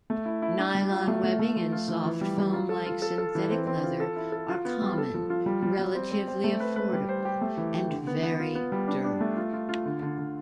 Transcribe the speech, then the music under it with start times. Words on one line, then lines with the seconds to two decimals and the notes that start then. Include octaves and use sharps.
Nylon webbing and soft foam-like synthetic leather are common, relatively affordable, and very durable.
0.10 A3
0.25 E4
0.42 E4
0.58 D4
0.75 G3
0.91 F4
1.08 A3
1.23 A3
1.39 A3
1.56 F3
1.72 F4
1.88 F3
2.05 E3
2.21 G3
2.38 G3
2.53 F4
2.69 A4
2.86 F4
3.02 A4
3.18 A4
3.35 E3
3.51 C4
3.67 C4
3.84 F4
4.00 A4
4.16 E4
4.32 A4
4.49 F4
4.65 B3
4.82 G3
4.98 A4
5.14 F3
5.30 F4
5.46 G3
5.62 G3
5.79 G3
5.95 C4
6.12 C4
6.28 C4
6.44 A3
6.60 B4
6.76 B4
6.93 G3
7.09 C5
7.25 G4
7.41 A3
7.57 E3
7.75 G4
7.90 D3
8.07 B3
8.23 B3
8.40 F4
8.55 B3
8.72 G3
8.88 D4
9.04 D4
9.21 A3
9.37 F4
9.53 F4
9.69 F4
9.85 D3
10.02 D3
10.18 D3